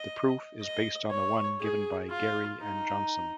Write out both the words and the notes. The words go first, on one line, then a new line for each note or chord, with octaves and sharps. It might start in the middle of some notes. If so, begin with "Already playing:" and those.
This proof is based on the one given by Garey and Johnson.
Already playing: D#5
D#5
C#5
G#4
F4
D#4